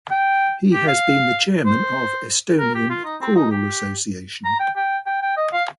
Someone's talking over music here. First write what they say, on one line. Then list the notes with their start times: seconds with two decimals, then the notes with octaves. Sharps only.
He has been the chairman of Estonian Choral Association.
0.11 G5
0.73 G4
0.88 F5
1.66 C5
2.59 A#4
2.75 G4
2.90 F4
3.05 D#4
3.21 C4
3.36 D#4
3.51 G4
4.45 A#5
4.60 G5
4.76 G5
5.06 G5
5.22 G5
5.37 D#5
5.53 F5